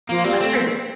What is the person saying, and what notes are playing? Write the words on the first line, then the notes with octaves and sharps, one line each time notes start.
that's crazy.
F3 A#3
G3 C4
A3 C4